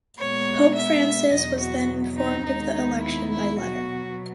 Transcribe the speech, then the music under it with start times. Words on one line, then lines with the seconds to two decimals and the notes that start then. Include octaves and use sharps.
Pope Francis was then informed of the election by letter.
0.18 A#2 G#3 B3 C#5
0.75 E5
1.31 E2 B2 F#3 B3 D#5
1.60 F#4
2.17 D#4
2.45 D#2 D#3 G#3 B3 D#4
2.74 D#4
3.02 E4
3.31 E4
3.59 B2 F#3 B3 F#4